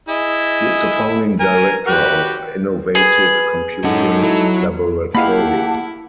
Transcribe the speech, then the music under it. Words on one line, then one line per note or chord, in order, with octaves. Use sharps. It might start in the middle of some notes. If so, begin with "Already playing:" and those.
He is the founding director of Innovative Computing Laboratory.
E4 G#4 D#5
A#4 G#5
F#4 G4 B4
G#4 B4
F#2 A2 G#3 C#4 D#4 A4 F#5
F#3 E4
A#3 E4 G4 G#4 F5 F#5 A5 B5